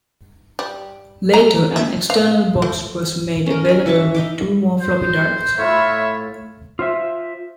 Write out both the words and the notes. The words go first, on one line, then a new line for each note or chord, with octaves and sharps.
Later an external box was made available with two more floppy drives.
G3
A#5
E5
F5
A3
C#4 A#4
D#5 G#5
E3 E5 A5 C#6
D#4 E5 D6
C5
A2 F4 C#5 E5 B5
F4 C5 E5